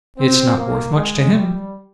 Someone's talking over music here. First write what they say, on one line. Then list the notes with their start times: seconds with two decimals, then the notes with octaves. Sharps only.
It's not worth much to him.
0.18 C4
0.57 A#3
0.95 G#3
1.34 G3